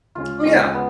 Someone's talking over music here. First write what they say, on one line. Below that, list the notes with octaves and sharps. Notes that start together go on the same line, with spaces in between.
Oh, yeah.
D2 C#3 G#3 C#4 F4
D2 C#3 G#3 C#4
B3